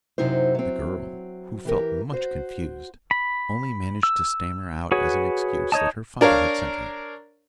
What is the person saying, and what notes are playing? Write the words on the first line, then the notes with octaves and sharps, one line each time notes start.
The girl, who felt much confused, only managed to stammer out as an excuse that her father had sent her.
F#2 C3 F#3 D#4 E4 C5
F#3 C4
E3 G4 A#4
F#4 C5
B5
E6
F#4 G#4 B4 C#5
D#4 C#5 D#5 A5
D4 A#4 C#5 F5